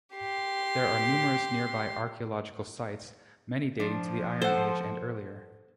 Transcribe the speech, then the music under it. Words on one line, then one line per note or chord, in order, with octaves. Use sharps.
There are numerous nearby archaeological sites, many dating to the Iron Age and earlier.
G4 C6
F3 D4
A4 C5 F#5